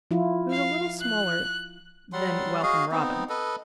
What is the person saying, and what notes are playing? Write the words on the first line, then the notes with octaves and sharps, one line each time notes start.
He was a little smaller than Welcome Robin.
F3 E4 F4
F5
F#6
F#3 G3 F#5 C6
F#4 G#4 D#5 F5
B3 C4 D#4
A4 B4 D#5